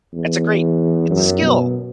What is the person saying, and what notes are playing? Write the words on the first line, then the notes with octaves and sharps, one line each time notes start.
That's a great it's a skill.
E2
F#2
B2